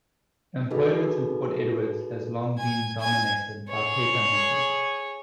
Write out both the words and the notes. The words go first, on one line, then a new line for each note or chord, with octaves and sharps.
Employment in Port Edwards has long been dominated by paper making.
D#4 F#4 G#4 A4 B4 D#5
G#5
G#5
G#4 C#5